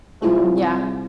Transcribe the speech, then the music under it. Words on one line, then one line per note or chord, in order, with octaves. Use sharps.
Mhm, yeah.
C3 G3 C4 E4 F4 G#4